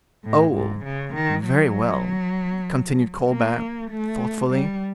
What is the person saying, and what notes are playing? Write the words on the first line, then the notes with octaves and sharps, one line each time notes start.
"Oh! very well," continued Colbert, thoughtfully.
A2
G#2
C#3
D#3
F#3
A#3
A3
G3